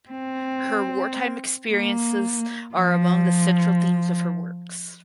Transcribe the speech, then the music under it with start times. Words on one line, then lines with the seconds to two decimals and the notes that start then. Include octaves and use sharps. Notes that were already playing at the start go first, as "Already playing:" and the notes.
Her wartime experiences are among the central themes of her works.
0.11 C4
1.70 A#3
2.75 F3